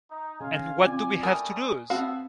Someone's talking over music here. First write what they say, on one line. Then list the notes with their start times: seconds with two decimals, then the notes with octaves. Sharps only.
And what do we have to lose?
0.11 D#4
0.40 C#3 F4 F5 G#5
0.81 C4 F4 D5 G#5
1.23 G3 A3 A#4 G#5 D#6
1.90 B3 C4 F#4 E5 F5 A5